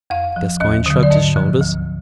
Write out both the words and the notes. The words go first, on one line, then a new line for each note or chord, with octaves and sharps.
Gascoyne shrugged his shoulders.
F2 F5
F3
D#2 D#5
D3 F#3
D5
G#2 D#5
F3
D2